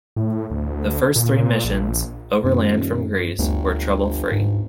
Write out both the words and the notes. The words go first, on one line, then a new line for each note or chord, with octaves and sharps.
The first three missions, overland from Greece, were trouble-free.
A2
D2
A#2
A#1
D#1 F#2
G1 D2
G#2